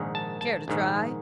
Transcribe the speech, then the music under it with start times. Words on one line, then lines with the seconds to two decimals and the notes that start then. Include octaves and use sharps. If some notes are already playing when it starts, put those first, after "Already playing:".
"Care to try?"
Already playing: A#1 G#2 D#3
0.15 A5
0.41 A5
0.68 A#1 G#2 D#3